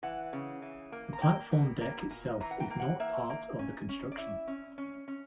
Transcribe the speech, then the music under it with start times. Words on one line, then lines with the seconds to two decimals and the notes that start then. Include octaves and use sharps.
The platform deck itself is not a part of the construction.
0.03 E3 F#5
0.33 C#3
0.62 E3
0.92 A#3
1.13 A#5
1.22 A#3 G5
1.51 B2
1.81 A#3
2.11 A#2
2.40 E3 A#5
2.51 F#5
2.60 G5
2.70 A#3
2.80 F#5
3.00 A#3 E5
3.30 A#3
3.59 C#4
3.89 C#4
4.12 D5
4.18 E4 E5
4.48 C#4
4.78 C#4
5.08 C#4